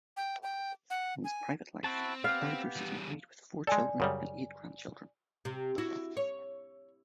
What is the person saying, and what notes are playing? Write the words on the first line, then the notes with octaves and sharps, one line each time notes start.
In his private life, Earle Bruce is married with four children and eight grandchildren.
G5
G5
F#5
G#5
C4 E4 F#4 A5
B3 G4 F5
E2 G3
G#3 A4 D5 G#5
F#2 C#3 G3
C3
E4 F#4
C#5